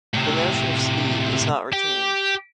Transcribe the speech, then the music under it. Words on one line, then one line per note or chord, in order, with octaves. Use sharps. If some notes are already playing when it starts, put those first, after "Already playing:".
The notion of speed is not retained.
A2 C3
G4